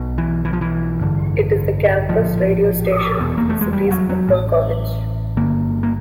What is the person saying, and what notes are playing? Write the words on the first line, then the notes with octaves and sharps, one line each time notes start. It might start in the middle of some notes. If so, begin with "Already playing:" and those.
It is the campus radio station of the city's Humber College.
Already playing: B1 B2
E3
E3
F3
E3
A1 G2 D3
A#1 A2 F3
F1 E2 B2
A#3
A3
G#3
G3
F#3
F#3
A1 A2
G1 G2 D3 A#3
A#3